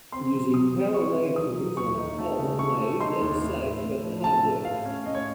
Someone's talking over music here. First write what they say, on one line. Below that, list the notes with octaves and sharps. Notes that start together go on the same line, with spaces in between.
Using power lathe tools on a pole lathe is safe, but hard work.
C4 C6
F#3
F#3 D#6
C4
C4 C#6
F4
F#3 D#6
F#3
D#2 C#6
D#4
A3
C#3
A3 C#6
A3
D#4 C6
D#2
A2
A2
A2
F3
A2 A5
A3
A2 F5
C#4
A2 D#5
C#5